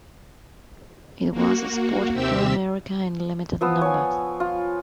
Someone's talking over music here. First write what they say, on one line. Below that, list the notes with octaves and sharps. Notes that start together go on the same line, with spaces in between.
It was exported to America in limited numbers.
A#3 F#4
D#2 C3 C4 G4 E5 E6
F3 B3 E6
C#5 G#5
F4